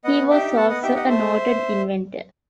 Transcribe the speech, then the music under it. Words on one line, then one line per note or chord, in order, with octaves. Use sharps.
He was also a noted inventor.
B3 D#5 F#5
D#4 G4 E5 G5
B3 F#5 A5
D#5 F#5
D#4 G4 E5 G5
D#5 F#5
A3 C5 E5